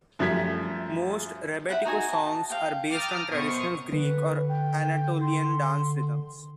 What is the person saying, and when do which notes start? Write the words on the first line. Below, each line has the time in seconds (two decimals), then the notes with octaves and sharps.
Most rebetiko songs are based on traditional Greek or Anatolian dance rhythms.
0.19 F#2 F3 G3 A3 G#6 B6
1.69 E4 B4 F#5 G5
1.85 D#4 F#4 G#5
2.09 D#5 A5
2.50 F5 G5
2.91 G5 A5 A#5 D6 D#6 F6
3.30 F#2 B2 C5 C#6 D#6
3.92 D3 B4
4.48 G5
5.21 C6